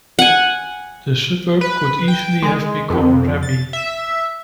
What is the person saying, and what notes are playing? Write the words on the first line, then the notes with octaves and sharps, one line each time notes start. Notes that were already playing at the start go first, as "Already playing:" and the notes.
The suburb could easily have become Raby.
F#5 G#5
B4
G5
G#3
F2
A6
E5